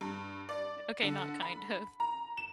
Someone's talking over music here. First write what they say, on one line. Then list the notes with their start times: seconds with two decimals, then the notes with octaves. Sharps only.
okay, not kind of.
0.01 G2
0.49 D5
1.03 D3
1.42 B5
2.00 A#5
2.37 E7